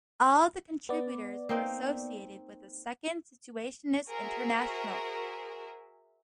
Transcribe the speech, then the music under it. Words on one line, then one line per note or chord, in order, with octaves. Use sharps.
All of the contributors were associated with the "Second Situationist International".
B3 D5
A#3 C4 D#4
F#4 G#4 A#4 C5 E5